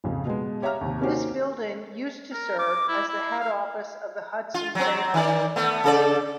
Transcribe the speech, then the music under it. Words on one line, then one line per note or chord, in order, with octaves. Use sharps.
This building used to serve as the head office of the Hudson's Bay Company.
A#1 F2 C#3
B2 G#3
G4 C#5 E5 F5 A#5 F6
D#2 C3
A#3 C#4 D#4 F#4 G4 C5
A#4
D6
E4
E4
F5
F4
F#3 C4
D#3 D5
A3 B3
C#3 A4 D5